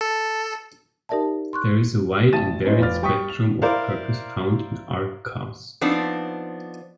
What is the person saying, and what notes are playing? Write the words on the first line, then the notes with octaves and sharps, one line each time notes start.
There is a wide and varied spectrum of purpose found in art cars.
A4
D#4 G4 A#4 D5 E5 A5
C6 C#6 F#6
A1 A5 A6 D#7 E7
E3 B3 C#4 D#4 E4 C5
F1 F4 B4 D5 F6 A6
G3 G5 C#6 D#6 B6
F7
E4 A#4 C5 D5 F5
F3 B3 C4 D4 D#4